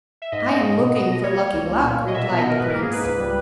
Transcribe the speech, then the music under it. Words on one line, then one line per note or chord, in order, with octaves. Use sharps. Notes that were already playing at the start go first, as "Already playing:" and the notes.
'I am looking for Lucky Luck,' replied the prince.
E5
G#2 D#5
A#3
G#2
B2
B3
B2 D#5
A#3 C#5
G3
C#2
A#3
A#2
A#2
D#5
B2 E5
B3
D#5
B2
A#4
G#2 B4
A#3 A#4
G#4
G#2 B4
C#2 B4
G3